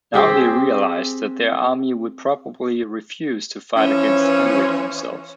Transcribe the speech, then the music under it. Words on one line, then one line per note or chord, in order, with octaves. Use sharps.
Now they realised that their army would probably refuse to fight against Henry himself.
C4 G4 G#4
E3 F3 C#4